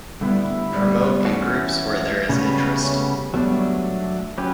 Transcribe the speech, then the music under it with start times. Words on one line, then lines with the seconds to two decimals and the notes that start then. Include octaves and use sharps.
Promote in groups where there is interest.
0.20 D3 G3 A3 B3 E4
0.73 G3 B3
1.25 E3 A3 C#4 F#4
2.29 C#3 G3 A3 B3 C#4 F#4 B4
2.81 A3 C#4
3.34 F#3 G3 A3 B3 D4
4.38 F#3 C#4 G4 B4